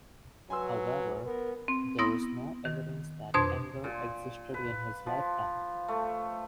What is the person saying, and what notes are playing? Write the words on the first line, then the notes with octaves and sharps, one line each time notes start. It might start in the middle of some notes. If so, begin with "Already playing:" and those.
However, there is no evidence that Enger existed in his lifetime.
F#3 B4 G#5 C6 E6
B3 A#4
C4
B3 E4 C6 D#6 A#6
D#3
F2 B2 D4 C5 C6 D#6
A#2
B4
F3
A3